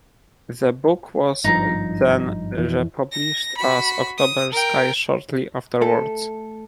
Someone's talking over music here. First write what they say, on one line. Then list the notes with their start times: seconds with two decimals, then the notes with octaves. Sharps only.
The book was then re-published as "October Sky" shortly afterwards.
1.44 G#1 G2 F3 D#4 A#5
2.58 F2 E3
3.12 A#6
3.57 F#4 B5
4.18 D#6
4.52 A#4 G5
5.82 A3 A4